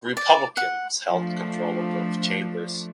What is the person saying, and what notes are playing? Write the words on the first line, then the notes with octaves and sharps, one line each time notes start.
Republicans held control of both chambers.
D5
F#5
F3 A3 D4